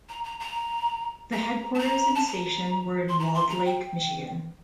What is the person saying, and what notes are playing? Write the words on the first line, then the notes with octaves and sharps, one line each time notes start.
The headquarters and station were in Walled Lake, Michigan.
A#5
A#5
A#5
A#5
A5
A#5
A5
A#5
C6
A#5
C6
A#5
G5